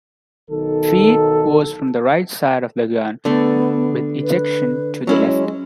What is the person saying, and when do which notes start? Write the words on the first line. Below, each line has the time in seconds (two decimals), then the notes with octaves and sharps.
Feed was from right side of the gun, with ejection to the left.
0.50 B1 D#3 A4
3.25 D3 A3 B3
4.23 B4
5.07 F#3 G#3 C#4 E4